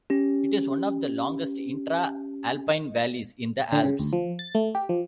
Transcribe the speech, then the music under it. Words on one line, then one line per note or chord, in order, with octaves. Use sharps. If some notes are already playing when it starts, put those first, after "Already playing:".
It is one of the longest intra-alpine valleys in the Alps.
C#4 G4
D3
C#3
D2
F3
A6
A3
G4
F3